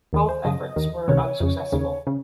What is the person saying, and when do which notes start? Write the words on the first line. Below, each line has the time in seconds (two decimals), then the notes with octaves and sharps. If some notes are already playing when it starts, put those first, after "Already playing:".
Both efforts were unsuccessful.
0.13 D#2 D#3
0.29 C5
0.45 F#2 C#3 D#5
0.76 D#2 D#3
1.08 C#2 C3 D#3 C#5
1.40 F2 C#3
1.72 D#2 C#3
2.07 C#3